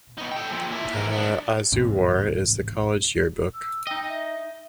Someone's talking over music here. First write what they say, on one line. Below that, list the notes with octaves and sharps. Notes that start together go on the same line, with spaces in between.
"The Azuwur" is the College yearbook.
B3 D#4
A4 G5
A#2 F3
A#3 E4
E3 A#4
B3 D4
A1 D#2 G#2 C3
E6
D#4 D#5 G5
E5